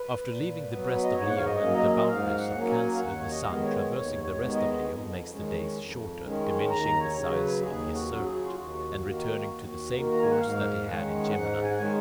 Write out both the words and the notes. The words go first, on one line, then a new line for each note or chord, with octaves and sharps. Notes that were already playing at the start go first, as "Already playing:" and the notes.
After leaving the breast of Leo and the boundaries of Cancer, the sun, traversing the rest of Leo, makes the days shorter, diminishing the size of his circuit, and returning to the same course that he had in Gemini.
Already playing: B4
A#2
F#3 B3
D#5
G#2 C#5
F#5
F5
D#5
F#3 A#3 C#4
D#5
D#5
G#2 F5
F#5
F#3 A#3 C#4
G#5
F5
D#2 F#5
C#5
D#5
D#3 G#3 B3 F5
D#5
C#5
D#2 C#5
C#5
D#3 G#3 B3
D#5
F2
D#3 G#3 C#4
F2
D#3 G#3 C#4
D#2 A#5
C#5
C#3 F#3
B4
D#2 G#4
F#4
C#3 F#3
F#4
G#4
F4
D#2 F#4
D#3 A#3
D#2
D#3 A#3
A#5
G#5
F#5
G#2 F5
D#3 G#3 C#4 F#5
G#2 F#5
G#5
F#5
D#3 G#3 C#4 G#5